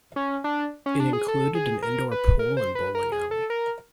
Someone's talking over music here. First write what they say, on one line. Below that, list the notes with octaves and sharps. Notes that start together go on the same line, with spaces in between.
It included an indoor pool and bowling alley.
C#4
D4
C#4
D4
G#4
A4
G#4
A#4
B4
A#4
C5
B4
A#4
G#4
A4
A#4